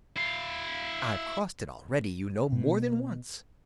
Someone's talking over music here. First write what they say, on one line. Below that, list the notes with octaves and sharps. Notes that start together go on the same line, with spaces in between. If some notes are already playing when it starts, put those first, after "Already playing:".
I've crossed it already, you know, more than once.
E4 F5
B2